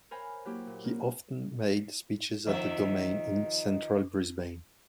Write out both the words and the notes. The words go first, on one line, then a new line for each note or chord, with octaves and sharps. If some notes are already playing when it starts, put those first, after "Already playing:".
He often made speeches at the Domain in central Brisbane.
A#4 C5 C#5 F5 G#5 B5
F#3 A#3 E4 G4
A#2
A#3
D#3 F3 E5